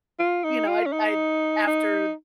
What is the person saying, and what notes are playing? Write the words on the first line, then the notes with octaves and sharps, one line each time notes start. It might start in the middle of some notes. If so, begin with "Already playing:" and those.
you know, I'd I'd after
F4
D#4
F4
C#4
D#4
D#4